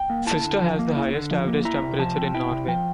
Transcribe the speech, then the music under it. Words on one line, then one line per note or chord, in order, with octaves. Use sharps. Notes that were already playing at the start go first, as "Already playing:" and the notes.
Fister has the highest average temperature in Norway.
Already playing: G5
A#3
E4 A5
D3
F3
A#3
E4
D3
F3
A#3
E4 A#5
C3
F3 A5
C4
E4 G5
C3
F3 G5